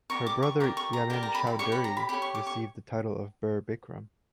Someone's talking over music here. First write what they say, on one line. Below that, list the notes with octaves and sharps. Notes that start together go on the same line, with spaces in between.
Her brother Yamin Chowdhury received the title of Bir Bikram.
G4 A#4 D5 C#6
D6
C#6
G4 A#4 D5 D6
C#6
A#5
G4 A#4 D5 G5
A#5
B5
B5
G4 C#5 C#6
B5
A#5
B5
G4 C#5 B5
C#6
D6
C#6